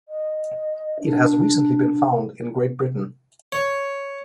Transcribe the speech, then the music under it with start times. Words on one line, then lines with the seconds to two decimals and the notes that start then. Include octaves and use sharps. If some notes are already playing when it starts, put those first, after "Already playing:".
It has recently been found in Great Britain.
0.08 D#5
0.99 D4
3.52 C#5